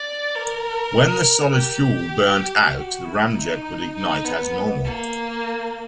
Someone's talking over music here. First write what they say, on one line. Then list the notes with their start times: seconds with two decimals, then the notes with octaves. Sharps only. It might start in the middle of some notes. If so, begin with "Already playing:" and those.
When the solid fuel burned out the ramjet would ignite as normal.
Already playing: D5
0.35 A#4
1.54 G4
2.74 F#4
3.05 E4
3.34 D#4
3.95 D#4
4.24 B3
4.84 A#3